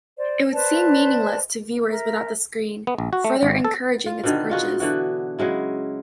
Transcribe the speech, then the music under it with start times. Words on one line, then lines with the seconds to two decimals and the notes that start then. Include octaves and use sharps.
It would seem meaningless to viewers without the screen, further encouraging its purchase.
0.17 C5 D5
0.54 B4 C5 D5 A5
1.88 A#4 E5
2.87 B3
2.98 A#1
3.13 F#4
3.25 A3
3.43 G#1
3.65 A4
4.06 F4
4.24 B2 D3 D#3
4.50 D#4 F4 F#4 G#4
4.80 D3 E3 F#4
5.39 C#3 F#3 G#3 E4